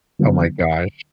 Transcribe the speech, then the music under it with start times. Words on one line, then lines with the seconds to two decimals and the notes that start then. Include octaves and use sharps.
Oh my gosh.
0.19 D3 F#3 B3